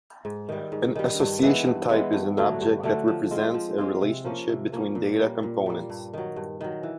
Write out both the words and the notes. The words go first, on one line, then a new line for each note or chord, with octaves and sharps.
An association type is an object that represents a relationship between data components.
G#2
D#3 G3
G#2
D#3 G3
G2
E3 G#3 B3
G2
E3 G#3 B3
G2
D3 F#3 A3
G2
D3 F#3 A3
F3
G#3 C4 F4
F3
G#3 C4 F4
C3
F3 A#3 C#4
C3
F3 A#3 C#4
A#2
G3 A#3
A#2
G3 A#3
G2
D#3 F#3
G2
D#3 F#3
E3